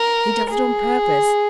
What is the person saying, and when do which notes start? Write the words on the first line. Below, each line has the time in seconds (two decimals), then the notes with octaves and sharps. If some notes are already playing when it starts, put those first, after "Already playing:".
He does it on purpose.
Already playing: A#4
0.50 G#4